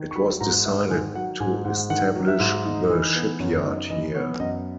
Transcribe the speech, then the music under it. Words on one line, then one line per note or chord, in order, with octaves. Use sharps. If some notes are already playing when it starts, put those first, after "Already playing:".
It was decided to establish the shipyard here.
Already playing: D#3
C#6
F#3 B5
G#2 A#5
G#2 E5
D#3 G#5
F#3 F#5
G#2 G#5
G#2 F#5
D#3 F#5
F#3
E5
G#2
D#4
E3
B3
F#2 C#5
D#4 D#5
E3 D#5
B3 C#5
F#2 D#5